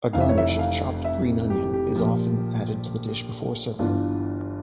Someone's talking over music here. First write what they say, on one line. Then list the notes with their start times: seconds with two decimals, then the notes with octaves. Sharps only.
A garnish of chopped green onion is often added to the dish before serving.
0.13 F1 F2 E3 F5
0.20 E5
0.29 C#5
0.38 E5
0.49 E5
0.59 F5
1.04 E5
1.50 G4
1.73 G4
1.95 A#1 A#2 F3
3.79 G1 G2 E3 F4